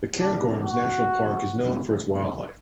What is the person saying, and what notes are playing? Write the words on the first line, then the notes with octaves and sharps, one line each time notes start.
The Cairngorms national park is known for its wildlife.
D4
F#4